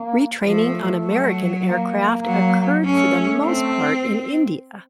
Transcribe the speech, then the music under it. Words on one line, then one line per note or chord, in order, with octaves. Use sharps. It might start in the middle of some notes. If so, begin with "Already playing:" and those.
Retraining on American aircraft occurred for the most part in India.
Already playing: A#3
F3 A3
F#3
A#3
F#3
A3 C#4
C4